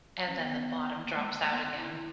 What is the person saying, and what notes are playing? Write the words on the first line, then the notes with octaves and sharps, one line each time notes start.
and then the bottom drops out again.
C#4
B3
B3
A#3
G#3
A#3
B3
D#4
E4
E4